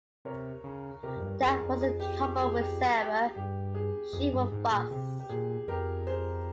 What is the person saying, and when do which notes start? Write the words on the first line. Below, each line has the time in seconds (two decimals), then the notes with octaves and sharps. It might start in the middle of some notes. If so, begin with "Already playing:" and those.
That was the trouble with Sarah — she would fuss.
0.25 C3 A#4 C#5
0.64 C#3
1.03 C3 G4 A#4
1.16 F2
1.22 G2
1.41 F2 G#4
1.61 F2
1.81 G#4
2.00 G4
2.19 G4
2.38 G#4
2.58 G4
2.97 G4
3.35 G2 G4
3.75 G#4
4.13 F2 G#4
4.32 G2 G#4
4.52 G#2
4.71 A#2 G#4
4.90 C3 G4
5.20 G4
5.29 A#2 G#4
5.68 F2 G4 A#4
6.06 G#4 C5